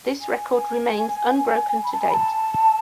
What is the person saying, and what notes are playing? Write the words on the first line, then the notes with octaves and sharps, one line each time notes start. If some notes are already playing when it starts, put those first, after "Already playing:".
This record remains unbroken to date.
G#5
B5
A5
G#5
B5
A5